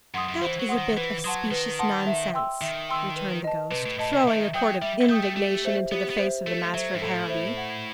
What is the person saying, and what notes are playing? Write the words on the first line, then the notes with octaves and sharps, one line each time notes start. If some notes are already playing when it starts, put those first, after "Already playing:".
"That is a bit of specious nonsense," returned the ghost, throwing a quart of indignation into the face of the master of Harrowby.
F#2 F#5 C6 D#6
F#2
E3 C5
F#3
F#5 C6 D#6
D#3
E3 B4
F#3 F#5 A5 C6 D#6
D#3 B4
F#5 A5 C6 D#6
E5
G5 C6 E6
D#3 E5
G5 C6 E6
B4
D#5 A5
C3 B4
A2
A2 D#5 A5
C3
D#3 E5
F#3 G5 D#6 G6
G3 E5
A3 G5 D#6 G6
A3
A3 G4
C5 E5
B3 G4
B3
C5 E5
A3 A4
F#3 C5 E5
G2
A2 A4
C5 E5
F#5